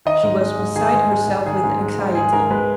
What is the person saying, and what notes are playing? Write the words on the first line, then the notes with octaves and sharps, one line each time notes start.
She was beside herself with anxiety.
D#3 D#5
G#2
G#3
G#2
D#3 G#4
G#2
G#3
G#2
D#3 G#4
G#2
G#3
G#2
D#3 G#4
G#2 A#4
G#3 B4